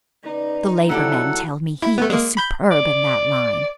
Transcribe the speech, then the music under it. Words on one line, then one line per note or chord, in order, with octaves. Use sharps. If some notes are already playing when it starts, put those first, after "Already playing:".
The Labour men tell me he is superb in that line.
C#3 D#4 B4 D5
D3 F3 F#3 E4 F#4 G4 A4 F#5
E4
A3 B3
G#3 A#3
B5 G6
D5